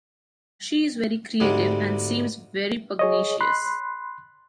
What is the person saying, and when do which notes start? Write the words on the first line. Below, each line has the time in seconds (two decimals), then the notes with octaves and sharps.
She is very creative and seems very pugnacious.
1.40 D2 G#2 C3 G3 G#3
2.99 G#4 C#5 D#5
3.41 B5 C6 F#6